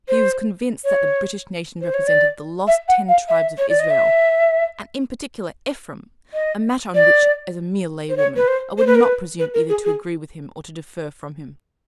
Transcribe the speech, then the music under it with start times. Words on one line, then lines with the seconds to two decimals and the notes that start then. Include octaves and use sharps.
He was convinced that the British nation represented the Lost Ten Tribes of Israel--and in particular Ephraim--a matter on which, as a mere lay-woman, I would not presume either to agree with him or to differ from him.
0.08 C5
0.85 C#5
1.82 C5
1.94 C#5
2.07 D5
2.67 E5
2.88 F#5
3.09 F5
3.29 E5
3.58 C#5
3.69 D5
3.79 D#5
3.90 E5
6.34 D#5
6.95 D5
8.09 C5
8.17 C#5
8.36 B4
8.48 C5
8.78 C5
8.87 B4
8.95 A#4
9.03 B4
9.39 B4
9.54 A#4
9.69 G#4
9.85 G#4